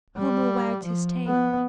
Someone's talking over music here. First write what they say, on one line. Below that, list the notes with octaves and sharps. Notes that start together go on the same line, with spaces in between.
Homo wagged his tail.
G3
F3
B3